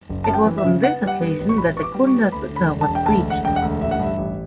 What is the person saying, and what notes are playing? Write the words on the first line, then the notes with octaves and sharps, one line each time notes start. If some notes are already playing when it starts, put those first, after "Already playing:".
It was on this occasion that the Cunda Sutta was preached.
F#1
F#2 A5
G5
E3
E5
C#3
B3 F#5
G3
F#5
B3
A1
C#6
A1 B5
B3 C#6
D6
G3
C#6
B3
D2 B5
D3
B5
E1
A5
E1
G5
D2 A5
E1
F#5
E1 G5
F#5
D2
A1 E5
F#5
G2 E5
A1